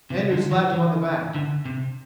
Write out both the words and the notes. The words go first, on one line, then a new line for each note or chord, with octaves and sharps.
Andrews slapped him on the back.
C3
D3
E3
E3
D3
C3